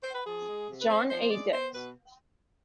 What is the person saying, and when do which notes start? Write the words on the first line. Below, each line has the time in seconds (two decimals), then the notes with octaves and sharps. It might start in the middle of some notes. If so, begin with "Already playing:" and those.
John A. Dix.
0.02 C5
0.14 B4
0.25 F3 G#4
0.46 G#3
0.68 C3
0.81 B4
0.89 C4 C5
1.10 F3 C5
1.21 C5
1.30 G#3 D5
1.52 B3 C5
1.74 B2 B4